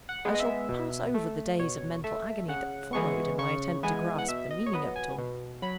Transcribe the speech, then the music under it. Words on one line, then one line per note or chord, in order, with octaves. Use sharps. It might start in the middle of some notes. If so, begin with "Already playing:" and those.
I shall pass over the days of mental agony that followed in my attempt to grasp the meaning of it all.
F#5
G#3 B3
D#5
E5
B2
A3
B2 C#5
A3 E5
C#3 F#5
E3 G#3 B3 C#6
C#3 C#6
E3 G#3 B3 G#5
F#5
B2 E5
D#5
C#5
F#3 B3 D#5
G#5
B2
F#3 B5